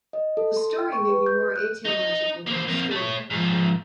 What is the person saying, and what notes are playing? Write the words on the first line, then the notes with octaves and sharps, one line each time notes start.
The story may be more aetiological than historical.
D#5
A4
C6
G5
C#6
B4
G6
F#6
D#4 D#5
A#3 C5
C4 A#4
A3 C#5
G#2 F3